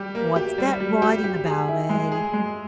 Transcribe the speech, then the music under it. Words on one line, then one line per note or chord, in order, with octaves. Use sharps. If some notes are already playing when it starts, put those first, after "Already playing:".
'What's that writing about, eh?'
Already playing: G3 G4
A#3
G4
G3
G3
G4
G4
G#4
E4
G#3
G#4
G#3